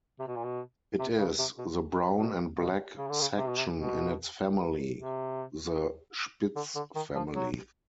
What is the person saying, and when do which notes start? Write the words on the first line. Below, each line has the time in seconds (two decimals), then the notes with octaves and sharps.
It is in the "brown and black section" in its family, the Spitz family.
0.20 C3
0.28 B2
0.36 A#2
0.44 B2
0.99 C3
1.18 C#3
1.39 C3
1.58 B2
2.18 B2
2.58 B2
2.98 C#3
3.09 D3
3.21 C#3
3.38 C3
3.48 B2
3.58 C3
3.77 B2
4.97 C3
6.56 D3
6.76 D3
6.96 D#3
7.15 F3
7.35 F#3